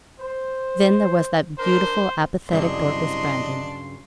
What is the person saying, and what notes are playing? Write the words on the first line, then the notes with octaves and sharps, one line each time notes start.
Then there was that beautiful apathetic Dorcas Brandon.
C5
D4 A#4 C5
C2 G2 C#3 F#3 D4 D#5 C6